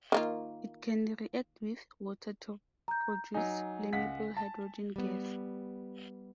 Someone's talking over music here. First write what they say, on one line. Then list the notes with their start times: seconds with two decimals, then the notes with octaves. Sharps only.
It can react with water to produce flammable hydrogen gas.
0.12 D#3 A#3 F4
2.88 A#5 G6
3.34 F#3 D#4 G#5
3.92 C#2 F#5 B6
4.37 A5
4.96 G3 B3